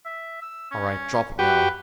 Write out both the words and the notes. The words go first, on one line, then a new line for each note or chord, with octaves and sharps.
All right, drop it now.
E5
E6
C#4
F#4 G4 B4 G5